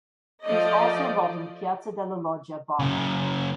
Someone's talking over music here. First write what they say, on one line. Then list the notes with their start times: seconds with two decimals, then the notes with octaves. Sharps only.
He was also involved in the Piazza della Loggia bombing.
0.44 F3 A3 D5 D#5
2.79 F#2 C#3